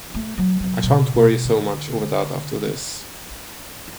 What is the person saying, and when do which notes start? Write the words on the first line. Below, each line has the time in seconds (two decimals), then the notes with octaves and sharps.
I shan’t worry so much over that after this.
0.14 A3
0.38 F#3
0.61 F#3
0.84 B2
1.14 B2
1.45 D3